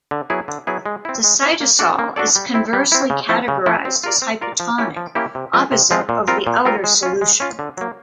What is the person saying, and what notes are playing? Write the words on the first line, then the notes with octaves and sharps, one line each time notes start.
The cytosol is conversely categorized as hypotonic, opposite of the outer solution.
D3
F#3 B3 E4 G#4
D3
F#3 B3 E4 G#4
G#3
C4 E4
G#3
C4 E4
A#3
D4 F#4 A4 D5
A#3
D4 F#4 A4 D5
G3
C4 E4
G3
C4 E4
C#3
F3 A3 C4 E4
C#3
F3 A3 C4 E4
C4
F4 A#4 D5
C4
F4 A#4 D5
F3
A#3 C#4 E4 G4
F3
A#3 C#4 E4 G4
C3
F3 G#3 C4 F4
C3
F3 G#3 C4 F4
A#2
G3 C4 F4 A#4
A#2
G3 C4 F4 A#4
G#3
C#4 F4
G#3
C#4 F4
D3
F#3 A#3